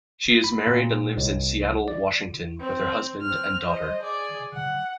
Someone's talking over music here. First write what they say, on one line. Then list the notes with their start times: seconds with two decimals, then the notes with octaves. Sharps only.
She is married and lives in Seattle, Washington with her husband and daughter.
0.44 B5
0.67 A#2
1.17 C2
1.88 D5
2.60 C4
3.22 C4 F6
3.64 C5 D#5
4.03 G#4 D5
4.54 F#5